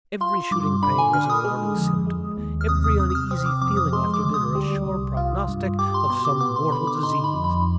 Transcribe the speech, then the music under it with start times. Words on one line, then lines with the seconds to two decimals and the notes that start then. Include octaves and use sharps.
Every shooting pain was an alarming symptom,--every uneasy feeling after dinner a sure prognostic of some mortal disease.
0.21 F4 C6
0.51 G2 D6
0.83 D3 B5
0.98 G#5
1.13 D3 F6
1.30 D#6
1.44 G#3
1.76 F2
2.07 G#3
2.37 D#2
2.61 F6
2.69 C3 D#6
2.84 D#6
2.99 C3 D#6
3.10 D#6
3.15 F6
3.31 C4 D#6
3.46 D6
3.62 F2 D6
3.77 D#6
3.92 G#3 C6
4.14 D6
4.24 D2
4.34 D#6
4.55 G3
4.86 C2
5.17 F4
5.48 G2
5.79 G4 D6
5.94 C6
6.10 B2 C6
6.25 D6
6.41 B3 D6
6.56 C6
6.72 D3 B5
6.87 D6
7.03 D#4 C6
7.24 B5
7.34 F2
7.44 B5